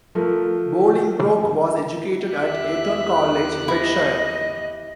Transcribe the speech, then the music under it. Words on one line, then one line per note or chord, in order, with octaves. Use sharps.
Bolingbroke was educated at Eton College, Berkshire.
F3 A3 A#4
E2 G4 E5 F#6
E4 D#5